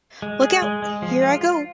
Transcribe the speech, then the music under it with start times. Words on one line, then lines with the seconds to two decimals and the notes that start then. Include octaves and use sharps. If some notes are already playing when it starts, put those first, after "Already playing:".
Look out — here I go!
0.22 G#3
0.42 G#4
0.62 G#3
0.82 G#3
1.02 F3
1.22 F4
1.41 F4